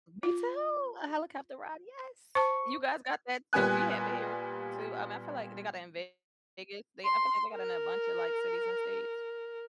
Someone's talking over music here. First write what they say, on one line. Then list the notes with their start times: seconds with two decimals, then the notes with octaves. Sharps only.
Me too! A helicopter ride, yes! You guys got that too. We have it here too, um, I feel like they got it in Vegas. They I feel like they got in a bunch of, like, cities and states.
0.23 F4
2.35 C5 A5 C#6
3.53 A#2 G3 B3 G#5 F#6
7.04 C6
7.53 A#4